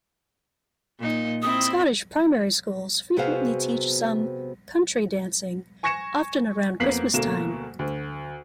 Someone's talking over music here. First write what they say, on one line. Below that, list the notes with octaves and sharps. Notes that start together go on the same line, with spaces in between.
Scottish primary schools frequently teach some "country dancing", often around Christmas time.
A#2 A#3 D#4
C4 E4 D#6
C3 B3 F#4 G#4 C5 F5
G#5 C#6 G#6 A#6 C#7 E7
F2 A#3 B3 B6 C7 F#7
D2 B2 A3 A#3 E7
D2